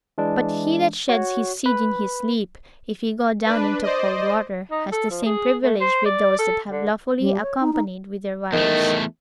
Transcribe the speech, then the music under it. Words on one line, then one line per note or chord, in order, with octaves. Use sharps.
But he that sheds his seed in his sleep, if he go down into cold water, has the same privilege with those that have lawfully accompanied with their wives.
E3 G#3 D4
F#4 C#5
B4 B5
D4 B4
C5 D5 D#5
D#4
A4
F3
G#4
A3
C5
D5
A4
D3
G3
C#5
D#4
D#4
E2 D#3 A3